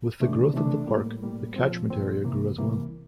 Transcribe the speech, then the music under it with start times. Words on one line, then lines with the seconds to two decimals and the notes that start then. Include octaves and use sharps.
With the growth of the park, the catchment area grew as well.
0.20 C3 E3 A3 D4
0.54 C3 E3 A3 D4
0.87 A2 G3 A#3
1.23 A2 G3 A#3
1.56 A#2 F3 C4
1.90 A#2 F3 C4
2.24 C2 C3 E3 A#3
2.58 C2 C3 E3 A#3